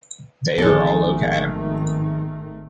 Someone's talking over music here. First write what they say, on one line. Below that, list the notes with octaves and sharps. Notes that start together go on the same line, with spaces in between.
They are all OK.
G#1 D#3 F3 G#3 A3 B3 A4